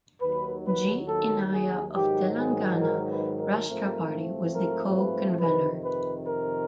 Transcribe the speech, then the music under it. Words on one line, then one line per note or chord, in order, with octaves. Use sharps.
G. Innaiah of Telangana Rashtra Party was the co-convenor.
D#2 D#3 F#3 B4
B4
A4
G#4
G#2 D#3 F#3 G4
G#4
A#4
B4
A#4
G#2 F3 A3 C4
A#4
B4
F2 C3 D#3 B4
B4
A#4